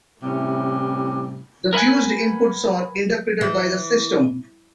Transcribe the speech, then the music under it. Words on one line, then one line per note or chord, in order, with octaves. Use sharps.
The fused inputs are interpreted by the system.
A2 C3 E3 G3 C#4 E4
A#4 B4 E5 F#5 G#5
E3